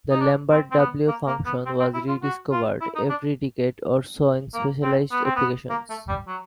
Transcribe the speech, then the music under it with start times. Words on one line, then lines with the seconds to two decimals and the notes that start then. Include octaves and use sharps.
The Lambert W function was "re-discovered" every decade or so in specialized applications.
0.11 D#4
0.20 D4
0.50 C4
0.72 C4
0.78 B3
1.08 A#3
1.27 A#3
1.46 B3
1.66 C4
1.80 C4
1.94 E4
2.08 F4
2.23 F#4
2.52 F4
2.81 E4
2.95 D#4
3.10 D4
4.54 A#3
4.83 C4
5.12 B3
5.24 C4
5.36 B3
5.70 A#3
5.90 A3
6.08 G3
6.27 F#3